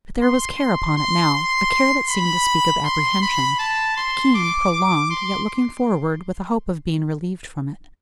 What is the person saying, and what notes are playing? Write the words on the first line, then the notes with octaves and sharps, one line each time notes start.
But there was care upon it now--a care that seemed to speak of apprehension--keen, prolonged, yet looking forward with a hope of being relieved from it.
C6
C6
C6
C6
B5
C6
B5
A5
C6
D6
D6
C6